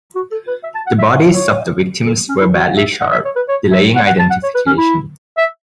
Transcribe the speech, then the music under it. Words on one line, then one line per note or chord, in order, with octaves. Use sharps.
The bodies of the victims were badly charred, delaying identification.
F#4
A4
B4
E5
A5
F#5
E5
C#5
A4
C#4
E4
F#4
E5
F#5
E5
C#5
B4
C#5
E5
F#5
F#5
A5
F#5
C#5
B4
C#4
E4
E5